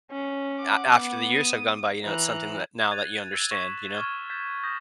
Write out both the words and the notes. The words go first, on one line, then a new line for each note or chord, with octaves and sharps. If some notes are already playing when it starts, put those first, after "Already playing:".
a after the years have gone by, you know, it's something that now that you understand, you know?
C#4
F#5 D6
B3
D#6
E3 A#5 F#6
F#6 G#6 A6 D#7 F7
E6 F#6
C#6 G#6 B6 D#7 E7 F#7
C#6 F6 G#6 G7
F6 G6 A6 B6 E7
D#6 G6 A#6